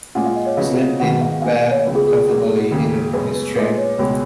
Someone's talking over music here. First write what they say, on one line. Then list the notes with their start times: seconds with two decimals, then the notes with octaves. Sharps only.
Smith leaned back comfortably in his chair.
0.15 A#2 G#3 C#4 F4 G#4 F#5
0.26 F5
0.36 D#5
0.46 C#5
0.57 C#3 F3 B3 F#4 F5
1.00 G#2 D#3 F#3 B3 F#4 F#5
1.21 F5
1.42 B2 A#3 D#4 G#4 F5
1.71 C#5
1.85 C#2 C#3 F3 B3
1.95 G#4
2.07 G#4
2.28 B2 F#3 A#3
2.71 D#2 C#3 F#3 A#3
3.13 F#2 C#3 G#3 B3 B4
3.35 B4
3.55 A#2 G#3 D#4 B4
3.77 C#5
3.98 C#2 B2 G#3 B3 C#5